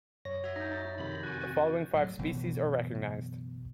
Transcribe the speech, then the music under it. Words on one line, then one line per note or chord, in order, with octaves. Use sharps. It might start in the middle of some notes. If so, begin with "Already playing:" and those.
The following five species are recognized.
F#2 C#5 A#6
F#4 E5 G#6
D#4 G6 A#6
A6
F2 C3 D#3 B5
F#4 G#5 F#6
A2 F#3
F#1 B2 E3 F#3